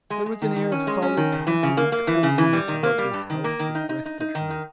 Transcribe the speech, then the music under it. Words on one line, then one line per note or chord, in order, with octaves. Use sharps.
There was an air of solid comfort and cosiness about this house that rested her.
G#3
G#3
D#3
D#3
C#4
G#3
C#4
D#3
C#3
E3
C#3
A#3
A#3
E3
C#3
E3
G3
D#3
A#3
G3
G2
D#3
A#3
D#3
D#4
D#4
D#4
D#4
D#3
D#4